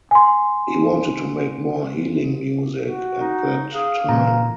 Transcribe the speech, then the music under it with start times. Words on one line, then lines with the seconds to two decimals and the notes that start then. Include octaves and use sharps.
He wanted to make more healing music at that time.
0.11 G#5 C6
2.85 F#4
3.20 D#4
3.74 G#4 F5
4.09 A#2 E3 A#5